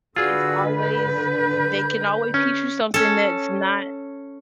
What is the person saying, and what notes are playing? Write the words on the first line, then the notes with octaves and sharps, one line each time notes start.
it's always th they can always teach you something that's not
D3 F4 F#4 G#4 B4 D5 E6
G6
C#4
C#4 A4